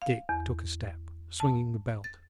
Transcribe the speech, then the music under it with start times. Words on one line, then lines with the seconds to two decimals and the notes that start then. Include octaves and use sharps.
Dick took a step, swinging the belt.
0.02 F5
0.29 E2
1.40 A5
2.04 A6